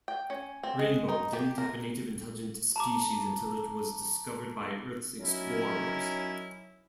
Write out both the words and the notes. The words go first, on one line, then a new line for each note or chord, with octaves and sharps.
Rainbow didn't have a native intelligent species until it was discovered by Earth's explorers.
G5
C#4
C4
G#3
D#4
G4
A#4
A5 A#5 D6
F#3 C#4 D#4 E4 A#4